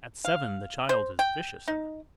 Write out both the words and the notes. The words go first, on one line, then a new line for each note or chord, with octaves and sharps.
At seven the child is vicious and a thief.
F5
C5
G5
D#4